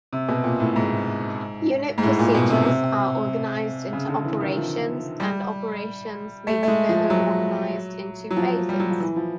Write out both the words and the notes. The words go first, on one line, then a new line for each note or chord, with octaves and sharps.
Unit-procedures are organized into operations, and operations may be further organized into phases.
C3
B2
A#2
A2
G#2
G#2
A2
A#2
B2
C3
C3
C#3
D3
E3
D#3
F3
G3
A3
A3
G#3
F3
F#3
F#3
F3
G3
F#3
F3
E3
F3